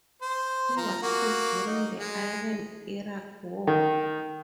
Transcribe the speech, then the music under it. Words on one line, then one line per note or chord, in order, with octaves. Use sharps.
He was killed during the Iran-Iraq War.
C5
F3 A#5
A#3 F#4
D#4
G#3
D#3